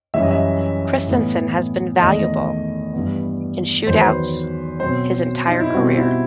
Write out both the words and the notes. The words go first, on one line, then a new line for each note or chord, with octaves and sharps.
Christensen has been valuable in shootouts his entire career.
F#2 E3 G3 E5
D#5
E5
A2 E3 B3
E2 D#3 A3 D#5
G2 E3 B3
E2 D#3 F#3 C5
B4
C5
B2 F#3 C4 C5
D#4
E4
B2 G3 C4 F#4
E4